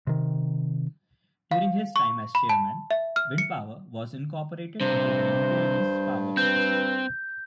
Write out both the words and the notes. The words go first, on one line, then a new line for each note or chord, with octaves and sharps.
During his time as chairman, wind power was incorporated into the utility's power production.
C3 D#3
F5
C#6
B5
A5
E5
F6
C#7
G2 C3 C5
C4 B4 G6